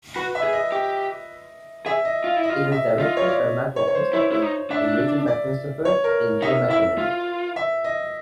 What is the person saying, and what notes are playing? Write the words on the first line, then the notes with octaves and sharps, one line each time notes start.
It was directed by Michael Cristofer and written by Cristofer and Jay McInerney.
F#4 B4
E5
G#4
D#5
G4
G#4 E5
D#5
F4
E4
D#5
F4
E5
F4 D#5
C#5
D5
C#5
C#5
C5
E4 C#5
E4
D#4
D4 E5
D5
C#5
A#4
D#4 E5
E4 E5
F4
E5
D#5